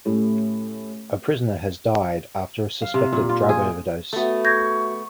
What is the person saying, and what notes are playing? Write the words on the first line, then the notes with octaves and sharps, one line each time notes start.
A prisoner has died after a suspected drug overdose.
A2 A3 C#4 E4 G4
F5
C3
A#2
F4
G#4
A3 B3 F#4 E5
C#6 G6 G#6 A#6